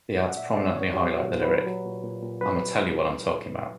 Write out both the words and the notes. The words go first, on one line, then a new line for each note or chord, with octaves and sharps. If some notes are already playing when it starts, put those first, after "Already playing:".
The ads prominently highlight the lyric, I'ma tell you what I'm talkin' 'bout.
A#2 D5
F#5
A#2 E5
F#3 D5
F#3 C#5
F#3 G4
A#2
F#4
A#2
B4
F#3
F#3
A#2
A#2
A#2
F#3 B4